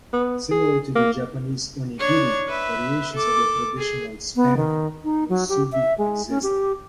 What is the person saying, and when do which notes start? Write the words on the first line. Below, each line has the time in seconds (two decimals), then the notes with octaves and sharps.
Similar to the Japanese onigiri, variations on the traditional Spam musubi exist.
0.13 B3
0.51 G#4
0.95 A#3
1.99 D4 C#5
2.48 B4 E5
3.13 A4 D6
3.77 G#4
4.36 B3
4.57 D#3
5.04 D#4
5.29 F#3
5.49 G4
5.72 E5
5.98 G#3
6.29 C#4
6.43 G4